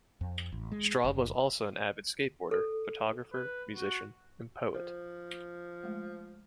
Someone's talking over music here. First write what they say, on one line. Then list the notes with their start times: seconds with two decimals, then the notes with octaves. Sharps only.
Straub was also an avid skateboarder, photographer, musician, and poet.
0.21 F2
0.52 A1
0.72 G#3
1.04 F#1
2.51 A4
3.33 B4
3.74 F#4
4.74 F3 C5
5.83 G#3 A3